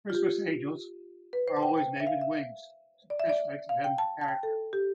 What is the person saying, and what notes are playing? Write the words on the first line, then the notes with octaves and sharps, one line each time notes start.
Christmas angels are always made with wings to accentuate their heavenly character.
F4
G4
B4
C5
A5
G5
G5
E5
F5
E5
D5
E5
D5
F5
G5
A5
A5
G5
A4
G4